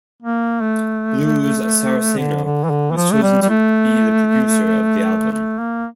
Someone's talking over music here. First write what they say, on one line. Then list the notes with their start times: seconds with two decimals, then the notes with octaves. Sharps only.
Blues Saraceno was chosen to be the producer of the album.
0.23 A#3
0.61 A3
2.18 D3
2.44 D3
2.64 E3
2.70 D3
2.91 E3
2.97 F3
3.12 A3
3.23 G3
3.42 G3
3.49 A3
5.32 A3
5.59 A#3